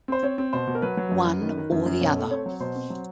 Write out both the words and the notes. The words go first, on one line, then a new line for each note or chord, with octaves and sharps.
One or the other.
C4 C5
C4 C#5
C4
B2 C5
B2
A#4
F#3 B4
F#3
F#2
F#2
D#3
D#3
F#2
F#2
B2 C#5
A3
C4 C#5
F#3
B2 C5
C4
F#3